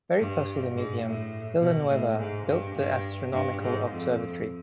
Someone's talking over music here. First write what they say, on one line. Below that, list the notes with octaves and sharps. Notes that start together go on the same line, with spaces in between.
Very close to the museum, Villanueva built the Astronomical Observatory.
G2
G#2
A2
B2
A2
G#2
G2
G2
G2
G#2
F2